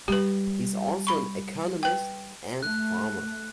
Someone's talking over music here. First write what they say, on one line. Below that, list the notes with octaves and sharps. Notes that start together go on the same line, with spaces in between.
He is also an Economist and Farmer.
G3 G4 B4
B5 C#6
B4 G5
A3 F#6